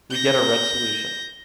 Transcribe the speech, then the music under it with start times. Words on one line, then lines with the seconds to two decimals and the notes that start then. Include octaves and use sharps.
We get a red solution.
0.11 G6 A#6